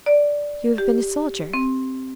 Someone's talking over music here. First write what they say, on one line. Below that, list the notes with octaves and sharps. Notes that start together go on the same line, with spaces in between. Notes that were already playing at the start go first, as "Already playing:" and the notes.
"You have been a soldier?"
D5
G4
C4